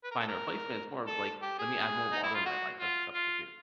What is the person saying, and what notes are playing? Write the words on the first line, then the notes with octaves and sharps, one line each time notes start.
find a replacement, it's more of, like, let me add more water in my life as a substitute.
B4
A#4
A4
A#4
A4
G4
G#4
D#4
E4
F4
F#4
F4
F4